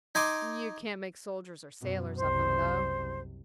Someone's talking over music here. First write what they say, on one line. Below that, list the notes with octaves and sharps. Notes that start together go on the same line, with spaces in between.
"You can't make soldiers or sailors of them, though."
D#4 G#5 C6 D6
F#2 B2
F#1 C2 C5